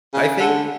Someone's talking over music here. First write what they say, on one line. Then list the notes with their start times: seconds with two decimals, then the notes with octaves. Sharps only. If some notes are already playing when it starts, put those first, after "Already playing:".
I think
0.14 C#3
0.40 D3